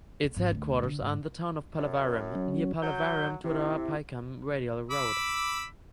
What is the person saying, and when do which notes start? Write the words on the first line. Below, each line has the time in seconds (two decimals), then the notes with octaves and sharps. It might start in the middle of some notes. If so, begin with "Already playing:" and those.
Its headquarters are in the town of Pallavaram near Pallavaram–Thuraipakkam Radial Road.
0.24 B3
0.37 G#1
0.52 D2
0.83 D3
1.01 G#2
1.78 F#2
2.35 F#3 C#4
2.82 F#3 G6
3.44 C3 E4
4.91 B5 D6 E6